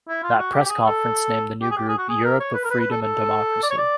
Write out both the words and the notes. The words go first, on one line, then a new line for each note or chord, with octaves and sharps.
That press conference named the new group "Europe of Freedom and Democracy".
E4
F4
F#4
G4
G4
G#4
A4
G4
G#4
G4
G#4
F#4
G#4
A#4
C#5
B4
A#4
B4
B4
A4
A4
D5
C#5
D5